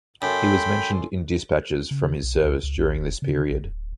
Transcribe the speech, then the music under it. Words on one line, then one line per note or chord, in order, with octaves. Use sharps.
He was mentioned in despatches for his service during this period.
F#2 A4 G5 B5 C6
C#3
B1
C#2
C#2
A#1
E1
C#3
A#1
D1